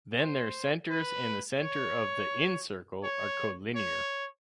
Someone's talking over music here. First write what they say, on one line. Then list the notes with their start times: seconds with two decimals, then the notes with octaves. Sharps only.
Then their centers and the center of the incircle are colinear.
0.19 C5
0.90 B4
1.61 C#5
3.04 C#5
3.76 C#5